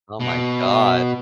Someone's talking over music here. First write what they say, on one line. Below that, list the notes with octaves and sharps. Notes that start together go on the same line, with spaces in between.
Oh my god.
B2